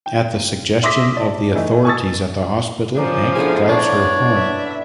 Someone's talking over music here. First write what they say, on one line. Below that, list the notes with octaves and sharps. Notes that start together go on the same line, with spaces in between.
At the suggestion of the authorities at the hospital, Hank drives her home.
G5
E5 C6 D6 D#6 A#6 B6
D5 A5
E3 A3 D#4
G#5 A5 C#6 D#6 E6 A6
F3 C#4 A#4 D5
D3 E3 B3 G#4
D4 B4 C#5
E5